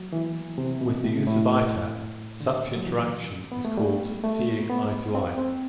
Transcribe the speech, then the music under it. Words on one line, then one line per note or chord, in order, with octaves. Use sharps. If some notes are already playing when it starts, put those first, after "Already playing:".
With the use of EyeTap, such interaction is called "seeing eye-to-eye".
Already playing: F#3
E3
C3
B2
A2
A2
D3
F#3
E3
B3
A3
G3
A3
B3
C4
C4